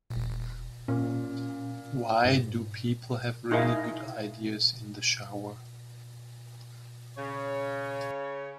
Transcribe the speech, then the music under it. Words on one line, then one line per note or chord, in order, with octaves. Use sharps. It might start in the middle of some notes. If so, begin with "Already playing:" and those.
Why do people have really good ideas in the shower?
E1
A#2 C#4
G#2
D#4 E4 G#4 A#4 D#5 F5
C#3 C#5